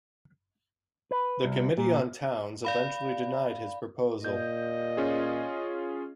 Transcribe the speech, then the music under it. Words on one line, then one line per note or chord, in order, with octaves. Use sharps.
The Committee on Towns eventually denied his proposal.
B4
C2
A#2
D5 F5 B5
A#2 D#5 G6
C#4 F4 G#4